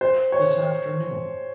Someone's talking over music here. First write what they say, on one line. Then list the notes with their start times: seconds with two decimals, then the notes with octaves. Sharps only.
This afternoon....
0.01 C5
0.32 C#5